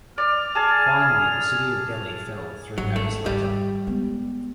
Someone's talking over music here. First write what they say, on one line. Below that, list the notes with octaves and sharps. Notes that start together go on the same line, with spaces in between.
Finally, the city of Delhi fell three days later.
D5 F6
G#4 A5
G#1 F#3
A3
G#2 D#3 G3
G#3 B3